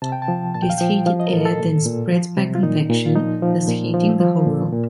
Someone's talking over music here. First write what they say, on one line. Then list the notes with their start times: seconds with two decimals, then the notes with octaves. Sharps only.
This heated air then spreads by convection, thus heating the whole room.
0.02 C3 A5
0.12 G5
0.22 A5
0.28 F3
0.54 A#2 A5
0.62 G5
0.70 F5
0.78 F3 G5
1.06 F3 F5
1.20 D#5
1.27 A#4
1.33 A2 A4
1.45 A4
1.59 A#2
1.85 A#2
2.11 F3
2.37 C3
2.55 F4
2.63 A#2 D#4
2.90 A#2
3.06 F4
3.15 F3 D#4
3.42 F3
3.68 A#2
3.94 F3
4.20 F3
4.46 A#2
4.73 A#2